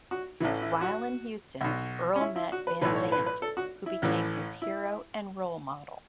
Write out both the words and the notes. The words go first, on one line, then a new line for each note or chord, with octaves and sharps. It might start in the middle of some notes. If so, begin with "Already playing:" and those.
While in Houston Earle met Van Zandt, who became his hero and role model.
F#4
A1 A2 E3 E4
E4
F#4
B1 B2
C#4
E4
E4
F#4
B4
B1 A2 E3 B4
C#5
B4
B4
A4
F#4
E4
A1 A2 E3
E4